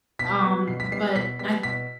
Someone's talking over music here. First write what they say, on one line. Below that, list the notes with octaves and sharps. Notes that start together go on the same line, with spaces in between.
um, but I
B2 B6
G3 B3
B2 C7
B6
G3 B3 C7
B2 B6
G3 B3 B6
B2 B6